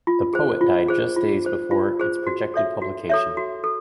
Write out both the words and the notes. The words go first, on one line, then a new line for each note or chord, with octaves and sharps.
The poet died just days before its projected publication.
F4
G#4 C5
F4
G#4 C5
F4
G#4 C5
F4
G#4 C5
F#4
A4 C#5 E5
F#4
A4 C#5 E5
F#4
A4